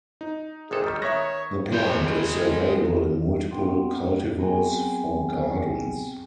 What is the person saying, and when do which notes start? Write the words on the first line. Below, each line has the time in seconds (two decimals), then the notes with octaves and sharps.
The plant is available in multiple cultivars for gardens.
0.21 D#4
0.71 G#1 C3 G#4 A4
0.84 D#3 G3 G#3
1.02 D#3 B3 C#5 E5 C#6 A#6
1.72 G#3 G5
3.51 B3 C4 D4 F#5 G5 C6
4.03 A3
4.39 F#3 B3 C4 G#4 G5 G#5